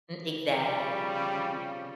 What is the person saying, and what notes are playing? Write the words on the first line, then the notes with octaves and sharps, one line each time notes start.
M exactly, mhm.
C#3 F3 G3